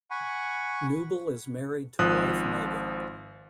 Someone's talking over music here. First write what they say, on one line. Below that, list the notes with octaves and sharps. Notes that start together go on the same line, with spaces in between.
Knuble is married to wife Megan.
F#5 G#5 B5 C#6
G#1 F3 D#6 F#6